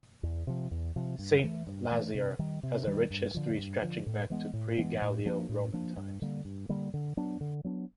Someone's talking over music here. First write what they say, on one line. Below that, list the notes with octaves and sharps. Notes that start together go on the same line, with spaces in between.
Saint-Lizier has a rich history stretching back to pre Gallo-Roman times.
E2
C3 F3
E2
C3 F3
G2
E3 A3
G2
E3 A3
C3
D#3 G3
C3
D#3 G3
G2
D3 F3
G2
D3 F3
A2
E3 G#3 B3
A2
E3 G#3 B3
A2
F3 A#3 D4
A2
F3 A#3 D4
G2
D3 G3 A#3
G2
D3 G3 A#3
D3
F#3 B3 D4
D3
F#3 B3 D4